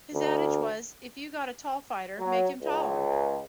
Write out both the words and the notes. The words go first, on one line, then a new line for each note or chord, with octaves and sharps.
His adage was: If you got a tall fighter, make him taller.
D2
F#3
C#2